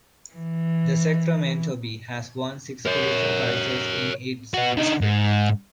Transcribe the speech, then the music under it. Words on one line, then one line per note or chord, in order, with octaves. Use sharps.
The "Sacramento Bee" has won six Pulitzer Prizes in its history.
E3
A#4 C#5
B3 F#4
D3 D#4
G#2